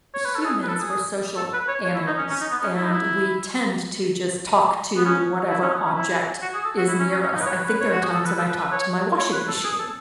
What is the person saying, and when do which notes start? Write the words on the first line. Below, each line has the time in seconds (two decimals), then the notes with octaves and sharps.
humans, we're social animals, and, we tend to just talk to whatever object is near us. I think there are times when I talk to my washing machine,
0.14 C#5
0.25 B4
0.35 A4
0.45 G#4
0.63 B4
0.69 A4
0.81 G#4
1.37 A4
1.53 B4
1.68 C#5
1.84 C#5
1.95 E4
2.07 D#4
2.17 C#4
2.30 C#4
2.41 D#4
2.51 B3
2.63 C#4
2.76 E4
2.84 D#4
2.91 E4
4.97 B3
5.05 C#4
5.50 E4
5.62 C#4
5.73 B3
5.85 C#4
5.96 E4
6.42 F#4
6.54 G#4
6.65 A4
6.77 F#4
6.87 E4
6.99 C#4
7.11 C#4
7.22 C#4
7.34 D#4
7.41 B4
7.46 C#5
7.57 B4
7.68 B4
7.80 C#5
7.92 F#4
8.03 G#4
8.15 A4
8.26 B4
8.38 A4
8.49 B4
8.60 B4
8.72 C#5
9.18 C#5
9.32 B4
9.48 A4
9.64 G#4
9.79 A4